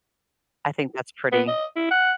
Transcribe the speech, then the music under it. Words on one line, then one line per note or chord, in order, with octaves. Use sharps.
I think that's pretty.
B3
D#5
E4
F#5